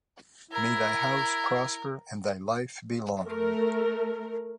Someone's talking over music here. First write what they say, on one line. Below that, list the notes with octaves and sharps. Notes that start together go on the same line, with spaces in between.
May thy house prosper and thy life be long!
E4 A#4
A3 A#4